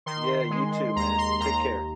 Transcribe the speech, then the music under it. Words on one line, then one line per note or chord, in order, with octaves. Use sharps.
Yeah, you too, man. Take care.
D#3 C6
G#3
D#2 A#5
C6
D#2 A#5